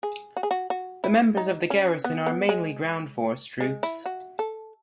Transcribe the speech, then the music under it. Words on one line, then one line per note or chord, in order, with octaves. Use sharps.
The members of the garrison are mainly ground force troops.
G#4
F#4
G#4
F#4
F#4
E4
D#4
C#4
B3
B3
G#3
G#3
E4
F#4
A4